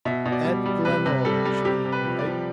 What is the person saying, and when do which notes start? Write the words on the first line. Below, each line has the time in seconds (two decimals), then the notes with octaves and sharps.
"At Glenalla," she replied.
0.05 B2 E5
0.26 B2
0.32 D5
0.45 G3
0.66 G3
0.85 C3 B4
1.06 C3
1.25 G3 A4
1.45 G3
1.65 C3 G4
1.85 C3
1.92 B4
2.05 F3
2.19 D5
2.25 F3